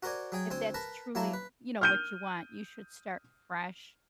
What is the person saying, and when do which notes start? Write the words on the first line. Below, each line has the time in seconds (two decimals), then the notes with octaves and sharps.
if that's truly, you know, what you want, you should start fresh,
0.03 F#4 A#4 C5 D5 G#5
0.32 F#3 G#4 G5 G#5
0.50 D2 C4 C5 G#5
0.74 A#4 B4 A5 A#5
1.15 F#3 A#3 E4 A#4 A5
1.33 B4
1.81 F6 G6 D#7